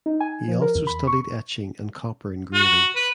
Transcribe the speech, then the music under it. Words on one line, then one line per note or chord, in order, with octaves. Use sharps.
He also studied etching and copper engraving.
D#4
G#5
F3
A#4
E2
B5
C#6
F#4
B4